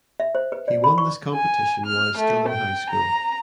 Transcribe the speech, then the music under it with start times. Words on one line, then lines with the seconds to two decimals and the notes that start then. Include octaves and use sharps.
He won this competition while still in high school.
0.20 E5
0.35 C5
0.52 B4
0.68 D5
0.84 B5
0.98 C#6
1.34 G#5
1.86 F6
2.18 A3
2.49 G5
2.91 A#5